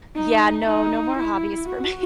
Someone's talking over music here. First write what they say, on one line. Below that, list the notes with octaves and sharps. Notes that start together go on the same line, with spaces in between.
Yeah, no, no more hobbies for me,
D#4
D#4
E4
F#4